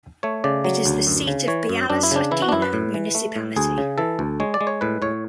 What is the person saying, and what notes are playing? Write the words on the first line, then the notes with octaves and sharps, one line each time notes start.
It is the seat of Byala Slatina Municipality.
A3 C#5
C#3 D5
F#3
D2
F#2
C#3
E3 C#5
F#2
F#2 D4
E4
C#3 D4
E3 E4
F#4
D4
F#2 E4
B4
A2
E3
A3
A2
D2 G#4
C#3
E3 A4
D2
G#3 C#5
D5
G#3
C#5
A2 B4
A2 C#5